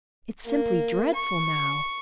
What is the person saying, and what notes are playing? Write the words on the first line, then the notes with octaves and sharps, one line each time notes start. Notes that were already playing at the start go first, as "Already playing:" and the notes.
It's simply dreadful now.
A#3
C#6